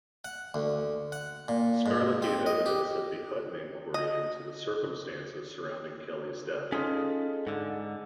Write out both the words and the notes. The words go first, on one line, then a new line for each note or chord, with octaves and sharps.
Scarlett gave evidence at the Hutton Inquiry into the circumstances surrounding Kelly's death.
F#5
D2
F#5
A#2
G#2
C4
D#5
G4
D#5
C#4 D#4 F4 G#4 A4 D#5
G#2 D3